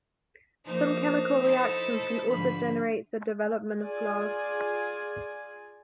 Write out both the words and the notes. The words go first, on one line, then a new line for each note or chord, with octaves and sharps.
Some chemical reactions can also generate the development of glass.
F3 A#3 D#4 C5
E4 A4
G#2 D3 F3 B5
F4 G#4 D5 G#5